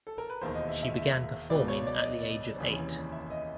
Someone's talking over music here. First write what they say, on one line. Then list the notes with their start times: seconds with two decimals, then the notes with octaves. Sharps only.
She began performing at the age of eight.
0.07 A4
0.18 A#4
0.30 B4
0.41 E1 D#2 D#3 C5
0.55 D#5
0.69 E5
0.82 E5
1.50 C#2 B2 D5
1.68 C#5
1.87 D5
1.95 D#5
2.03 D5
2.58 F1 D#2 C#3 E3
3.12 E5
3.30 D#5